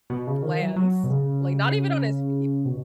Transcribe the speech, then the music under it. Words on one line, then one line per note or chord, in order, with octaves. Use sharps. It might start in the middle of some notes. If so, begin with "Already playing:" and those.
lands, like, not even on his feet,
B2
C#3
D#3
F#3
F#3
B2
C#3
B2